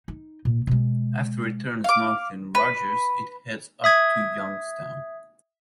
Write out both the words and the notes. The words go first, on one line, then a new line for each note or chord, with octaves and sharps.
After it turns north in Rogers, it heads up to Youngstown.
D#4
A#2
B2 G#3
F5 D6
B4
E5 D#6 G#6